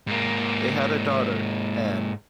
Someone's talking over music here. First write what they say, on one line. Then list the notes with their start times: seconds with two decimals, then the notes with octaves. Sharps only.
They had a daughter, Ann.
0.07 G#2 A#3